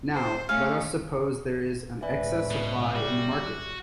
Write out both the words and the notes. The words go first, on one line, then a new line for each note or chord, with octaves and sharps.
Now, let us suppose there is an excess supply in the market.
C5
A3 C#4 F5 G#5
C#2 A2 C#3 B4 D5 E5 G#5
B2
G3 F#4